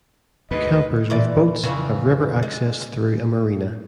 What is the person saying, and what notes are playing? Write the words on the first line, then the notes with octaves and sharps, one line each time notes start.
Campers with boats have river access through a marina.
D2 G#2 B4 D#5
A#2 E3 D5
F2 C#3 E3
G#3